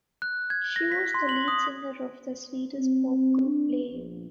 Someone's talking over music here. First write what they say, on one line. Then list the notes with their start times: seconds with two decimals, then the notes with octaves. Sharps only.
She was the lead singer of the Swedish pop group Play.
0.22 F#6
0.50 G#6
0.76 A#6
0.92 B6
1.14 C6
1.29 F#7
1.48 D#6
2.79 C4
3.46 D4
3.92 A#1